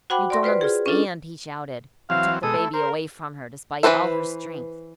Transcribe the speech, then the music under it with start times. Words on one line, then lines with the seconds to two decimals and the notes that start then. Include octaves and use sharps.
"You don't understand!" he shouted, and took the baby away from her, despite all her strength.
0.10 F#4 C5 F#5 G5 B5 D6
0.30 D5 C6 A#6
0.43 F4 B4 C5 D5
0.61 F4 G#4
0.86 C#4 D4 F4 A4
2.10 E3 F#3 C4 F5
2.43 B2 G#3 A4 D#6
2.58 A3 E4
2.74 A#4 C5
3.83 E3 C4 B4 C5 E5